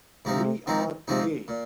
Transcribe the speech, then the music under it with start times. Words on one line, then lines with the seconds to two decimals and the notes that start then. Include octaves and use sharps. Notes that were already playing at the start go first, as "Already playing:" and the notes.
We are gay.
0.25 G#2 C3 F3 C4 D#4
0.67 G#2 F3 C4 D#4
1.08 G#2 C3 F3 C4 D#4
1.48 A#2